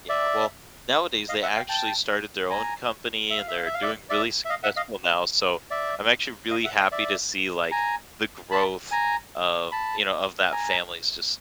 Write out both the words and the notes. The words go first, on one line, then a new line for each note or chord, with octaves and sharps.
Yeah. Well, nowadays they actually started their own company and they're doing really successful now, so I'm actually really happy to see, like, the growth of you know, of that family is just
D5 E5
D#5 F5
E5 F#5
F5 G5
G5 A5
G#5 A#5
E5
F5
E5
F5
E5
F5
D5 E5
D5 E5
E5
D#5 F5
E5 F#5
D#5 F5
D5 E5
D#5 F5
E5 F#5
D#5 F5
D5 E5
G#5 A#5
A5 B5
G#5 A#5
A5 B5
G#5 A#5